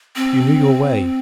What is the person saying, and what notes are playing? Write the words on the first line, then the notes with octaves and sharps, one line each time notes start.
You knew your way.
C4